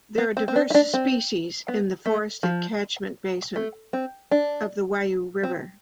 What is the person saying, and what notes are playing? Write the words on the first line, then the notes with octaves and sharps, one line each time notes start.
There are diverse species in the forested catchment basin of the Waiau River.
B3
C4
C4
D4
E4
D4
C4
B3
A3
F3
A3
C4
D4
C4